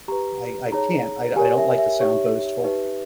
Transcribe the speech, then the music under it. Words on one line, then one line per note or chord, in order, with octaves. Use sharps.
I I can't, I I don't like to sound boastful
G4 B4 A#5
D#4 G#4 C#5 A#5
G4 A#4 C#5 G#5
E5
E5
D#4 G4 C#5
D#4 G4 B4